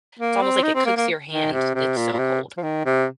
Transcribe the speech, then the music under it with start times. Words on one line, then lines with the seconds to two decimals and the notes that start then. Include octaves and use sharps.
it's almost like it cooks your hand, it's so cold.
0.19 A#3
0.42 C4
0.63 D#4
0.75 C4
0.86 A#3
0.97 A#3
1.30 D#3
1.53 C3
1.75 C3
1.97 A#2
2.13 A#2
2.19 C3
2.57 F3
2.63 D#3
2.85 C3